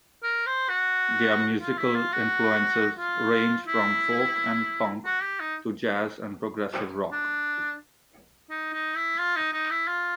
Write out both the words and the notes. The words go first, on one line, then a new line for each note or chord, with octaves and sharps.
Their musical influences range from folk and punk to jazz and progressive rock.
A#4
C5
F#4
F4
E4
F4
F#4
F4
E4
F#4
G4
D#4
D4
D#4
D#4
E4
F4
D#4
D#4
E4
F4